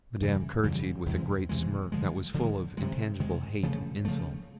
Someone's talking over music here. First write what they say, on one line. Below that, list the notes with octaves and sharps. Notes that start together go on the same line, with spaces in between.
Madame courtesied with a great smirk, that was full of intangible hate and insult.
F2 C#3 E3 G3
F2 C#3 E3 G3
E2 C3 E3 G#3
E2 C3 E3 G#3
D3 F3 G#3
D3 F3 G#3
C3 D#3 G#3
C3 D#3 G#3
C#3 F3 A3
C#3 F3 A3